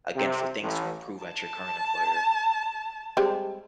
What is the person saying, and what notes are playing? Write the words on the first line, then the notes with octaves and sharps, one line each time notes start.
again, for things to improve at your current employer,
C3
A1
A5
G3 G#3 C4